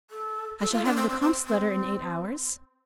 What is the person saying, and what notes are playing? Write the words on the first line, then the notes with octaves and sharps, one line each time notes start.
"I shall have the comte's letter in eight hours?"
A4
A4
F4
D4
C4
C4
C4
C4